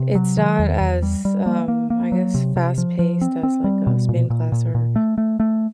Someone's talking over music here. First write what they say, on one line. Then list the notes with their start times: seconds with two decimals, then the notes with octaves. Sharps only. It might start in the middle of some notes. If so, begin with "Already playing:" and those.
it's not as, um, I guess, fast paced as, like, a spin class or
Already playing: C3
0.15 F#3
0.38 D#3
0.59 E2
0.80 E2
1.02 G3
1.25 G3
1.46 A#3
1.68 A#3
1.90 A#3
2.12 F#3
2.34 C3
2.56 C3
2.78 F3
2.99 F3
3.21 C4
3.43 C4
3.64 G3
3.87 B2
4.09 A#2
4.30 A#2
4.52 A#2
4.75 A#2
4.96 A3
5.18 A3
5.40 A3